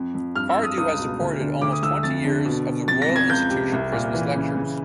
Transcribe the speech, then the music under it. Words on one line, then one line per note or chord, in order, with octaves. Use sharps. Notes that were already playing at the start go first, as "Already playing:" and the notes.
Cardew has supported almost twenty years of the Royal Institution Christmas Lectures.
Already playing: F2
F2
G2 F6
E6
G2
D#6
C#2 D#6
B2
D2
D3
D2 D6
D#6
D2 E6
F2 A6
D3
B2
B2
F2 A6
A#6
F2
G#6
C#2 G6
C3
C2
A#2
E3
C#3
C#3